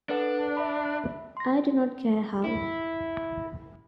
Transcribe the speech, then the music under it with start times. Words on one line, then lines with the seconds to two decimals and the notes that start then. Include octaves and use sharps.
I do not care how.
0.09 D4 A4 B4 F#5
0.57 E5 B5
1.37 C6 A#6
2.44 E4